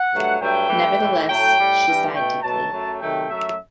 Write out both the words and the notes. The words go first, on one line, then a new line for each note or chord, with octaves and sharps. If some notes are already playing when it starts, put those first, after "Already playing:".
Nevertheless, she sighed deeply.
Already playing: F#5
G2 F#3 A3
G2 F#3 A3 G5
G2 E3 A3
A2 E3 A3
A2 F#3 A3 G5
A2 G3
G2 E3 G3
B2 A3 G5
B2 F#3 A3 A5
F#2 F#3 A3
C3 D#3 F#3 A3 G5
F#2 F#3 A3 E5